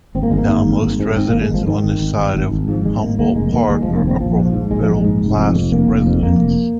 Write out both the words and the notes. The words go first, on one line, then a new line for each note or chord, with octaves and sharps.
Now most residents on this side of Humboldt Park are upper middle class residents.
G#1 C4
A#3
G#1 G#3
A#3
G#2
G#1
G#1
G#2
G#2 C4
A#3
G#1
G#3
G#1 F3
G#2 D#3
G#1
G#1
G#1
G#1
G#1
G#2 F3
G#1 G#3
C4
G#2 A#3
D#2 A#3
F1 G#3
D#2 A#3
D#2 G#3
F3
F1
A#3
D#2 C4
A#1 F3
G#2
F3
G#2
A#1 G#3
F3
A#1 G#3
G#2
F1
F2
F1
F1 A#3
F1
F2
F2 A#3
F1